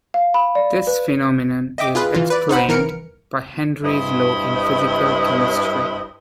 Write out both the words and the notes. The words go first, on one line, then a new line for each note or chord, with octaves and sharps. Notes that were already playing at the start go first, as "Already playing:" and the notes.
This phenomenon is explained by Henry's Law in physical chemistry.
F5
B5
D5
B4
D#5 E5 G5 D6
F4 G#4 B4
E3 F4
B4 D5
D#4 C5 F#5 B5
E3 A#4 F6 C#7 D7
G2 E4 C5 D#5